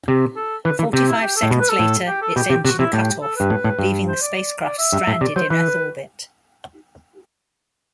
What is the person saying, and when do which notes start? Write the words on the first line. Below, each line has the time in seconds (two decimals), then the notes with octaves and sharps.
Forty-five seconds later, its engine cut off, leaving the spacecraft stranded in Earth orbit.
0.08 C3
0.36 A4
0.65 E3 B4
0.79 E3
0.93 C3 G4
1.08 E4
1.21 G4
1.36 A4
1.42 A2
1.51 B2
1.60 B4
1.69 A4
1.79 A2
2.07 G4
2.22 A4
2.36 B2 G4
2.50 C3 G4
2.65 C3 F#4
2.79 C3 E4
2.93 A2 G4
3.22 A4
3.36 G2 B4
3.50 A2
3.64 A2
3.79 G2
4.07 C5
4.21 D5
4.35 D5
4.64 D5
4.78 E5
4.93 G2
5.07 A2
5.11 E5
5.21 C3 D5
5.36 F#3 C5
5.50 E3 B4